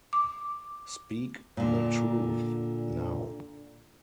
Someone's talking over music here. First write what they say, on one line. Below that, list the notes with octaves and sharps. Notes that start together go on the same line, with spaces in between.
Speak the truth, now.
D6
A#2 D3